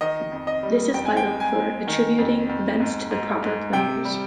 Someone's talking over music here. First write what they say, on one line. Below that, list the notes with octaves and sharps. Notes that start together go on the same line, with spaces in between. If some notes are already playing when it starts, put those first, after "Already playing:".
This is vital for attributing events to the proper players.
D#3 D#5
F2
D#5
G3
F2 G5
G#5
G5
G#3
G#5
G#3
D#3
F2
F2
G#2
G#2
G#2
C3 G5
G3